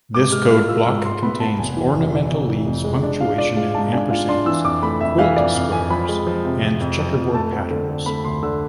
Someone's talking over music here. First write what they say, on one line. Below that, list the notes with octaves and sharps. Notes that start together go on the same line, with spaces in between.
This code block contains ornamental leaves, punctuation, and ampersands, quilt squares, and checkerboard patterns.
G#2 D6
G#3 F6
F4 F6
F4 E6
G#2 E6
G#2 C6
B3 B5
B3 A5
F1 G#5
E3
F1
E3
F2
E3
F2
G#3
D4
F4 F5
F4 D5
G#3 F5
G#2 A5
D4 G#5
F4 F5
D4 C6
E3 E6
F2 D6
A3 B5
F2 E5
E3 F5
F2 D5
F2 F5
F2 G#5
F3 B5
G#3
F3
C3
F3
F2
F3
F2
A3 A5
C4
D3
D3
A3 B5
D2 C6
D3 E6